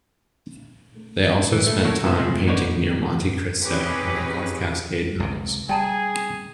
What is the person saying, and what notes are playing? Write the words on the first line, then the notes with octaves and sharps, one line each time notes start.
They also spent time painting near Monte Cristo in the North Cascade mountains.
E3
A2 A3
F#3 A#3 E4 F#4 A4 C#5
C3 F3 B3 E4 C5 E5
C3 D#3 F3 G#3 A3
F3 A#3 B3 D4 D#4 C#5
C4 C#4 D#4 G4 G#4 B4
C#2 C3
G3 G#4 G5 A5 A#5